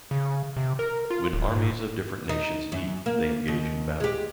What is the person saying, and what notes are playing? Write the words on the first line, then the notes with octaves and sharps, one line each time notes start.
When armies of different nations meet, they engage in battle.
C#3
C3
A#4
F4
D1
G#2
D#4
F#2
A#3
D#2
G#3 G4